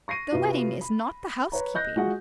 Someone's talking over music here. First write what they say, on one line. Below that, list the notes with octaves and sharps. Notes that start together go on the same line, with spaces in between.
The wedding is not the housekeeping.
C#6 A#6 C7 D#7
C3 B3 F4 F#4
B5
B4 C#5 A#5
D#5 F#6 G6 A#6
G#3 F4 F#4 G#4 F#5